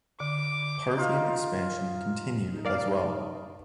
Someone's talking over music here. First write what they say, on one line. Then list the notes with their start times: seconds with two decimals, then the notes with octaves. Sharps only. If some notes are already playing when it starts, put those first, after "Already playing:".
Parthian expansion continued as well.
0.20 D3 D6
0.97 D#4 F4 F5
2.50 D#4
2.65 A#4 D5 F5